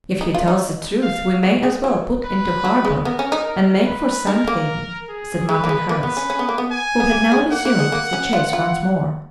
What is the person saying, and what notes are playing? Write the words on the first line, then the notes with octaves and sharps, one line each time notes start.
"If he tells the truth we may as well put into harbor and make for Sand Haven," said Martin Harris, who had now resumed the chase once more.
D#4
F4
D#4
F5
B3
G#3
F#3
B4
F#3
G#3
B3 A#4
C#4
D#4
A#4
B4
D#4 A#4
A#3
G#4
G#3 B4
A#3
G#3
A#3 B4
B3
C#4
C#4
B3
A#3
B3
G#5
B3
A#3
G#3
A#3 F#5
A#3
G#3
A#3
C#4
F4
F4